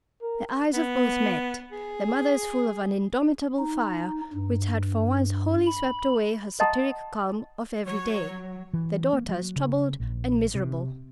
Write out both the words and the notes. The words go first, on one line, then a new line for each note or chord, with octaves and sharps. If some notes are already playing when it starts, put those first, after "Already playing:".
The eyes of both met--the mother's full of an indomitable fire which had for once wholly swept away her satiric calm of every day; the daughter's troubled and miserable.
A#4
B3
G#4
D#4
G2
B5
D#5 F#5 A5 A#5 C6 D#6
F#3 C#5
E3
A#3
F#3
C#3
A#1
C3